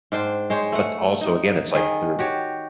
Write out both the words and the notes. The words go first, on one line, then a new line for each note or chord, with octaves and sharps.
but also, again, it's like there,
G#2 D4 C5 G5
G#3 C5 C#5
A3 F#5
D#4
D#3 G#4
F#4 G4 C#5